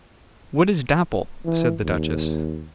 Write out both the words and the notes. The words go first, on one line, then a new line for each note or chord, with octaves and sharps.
"What is Dapple?" said the duchess.
E3
D#2